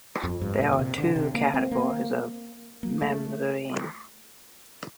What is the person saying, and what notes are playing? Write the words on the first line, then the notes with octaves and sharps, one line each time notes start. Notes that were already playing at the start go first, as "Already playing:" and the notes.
There are two categories of mamzerim.
F2
G2
A#2
D3
C3
D3
C3
A#3
C4
A#3
A#3
A3